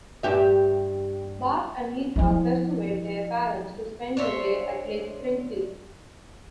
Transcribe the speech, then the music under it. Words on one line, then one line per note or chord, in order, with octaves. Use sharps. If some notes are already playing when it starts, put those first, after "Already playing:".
Bart and Lisa persuade their parents to spend the day at Lake Springfield.
G2 G4 E5
F3 E4
D4 C5 C#5 E5